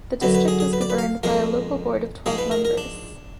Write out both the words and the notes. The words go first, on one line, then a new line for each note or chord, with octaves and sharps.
The district was governed by a local board of twelve members.
F#2 D3 F#3 B4
B4
G#4
G#4
B4
D5
B4
F5
F2 F3 G#3 A#4
G#2 F3 G#3 G#4
B4
A#4
A#4
D4